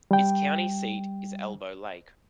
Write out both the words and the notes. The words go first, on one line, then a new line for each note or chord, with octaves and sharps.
Its county seat is Elbow Lake.
G3 G5